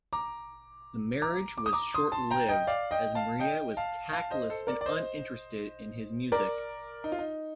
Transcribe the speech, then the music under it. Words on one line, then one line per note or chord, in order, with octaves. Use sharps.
The marriage was short-lived, as Maria was tactless and uninterested in his music.
A#5 D6
A#5 D6
D6
D#6
A#5 D6
C6 D#6
A5 C6
G5 A#5
D#5 G5
D5 F5
D#5 G5
F5 A5
D#5 G5
F5 A5
F5 A5
C5 D#5
A4 C5
A#4 D5
D5
C5 D#5
A#4 D5
D#4
F4
D#4